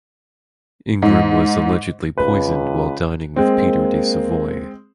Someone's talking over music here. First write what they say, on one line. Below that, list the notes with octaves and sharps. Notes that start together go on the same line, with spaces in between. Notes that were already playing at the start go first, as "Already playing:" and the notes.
Ingram was allegedly poisoned while dining with Peter de Savoy.
G#2
C#2 B4
G#3 A#3 C4